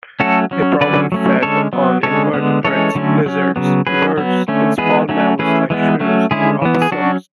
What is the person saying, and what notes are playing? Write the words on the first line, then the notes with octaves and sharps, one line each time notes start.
They probably fed on invertebrates, lizards, birds, and smaller mammals like shrews and opossums.
F#3 A3 C#4 F#4 A4
F#3 C#4
D3 F#3 C#4 B4 D5
F#3 A3 C#4
D3 G#3 C#4 A4 C#5
F#3 B3
D3 G#3 C#4 A4 C#5
D3 G#3 B3
E3 G#3 C#4 A4 C#5
D3 F#3 A3 C#4
F#3 C#4
C#3 F#3 B3
F#3 C#4 G#4 B4
F#3 B3
D3 A3 C#4
E3 G#3 B3 G#4 B4
F#3 A3 C#4
E3 A3 C#4 G#4 B4
E3 G#3 B3
F#3 A3 C#4
D3 G#3 C#4 E4 G#4
E3 B3
G#4
F#3 C#4 D4 F#4